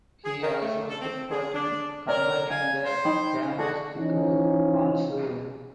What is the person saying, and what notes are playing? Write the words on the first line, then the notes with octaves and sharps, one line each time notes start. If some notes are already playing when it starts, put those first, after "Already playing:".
He also took part in compiling the famous "Siku Quanshu".
G#4
D#3
A3
A4
C4
G#4
D4
A#4 C#5 D5 A#5
F5 G#5
C5
D#4 G5 B5
D4 F#4 G#4 A4
E3 F3 C#4 D#4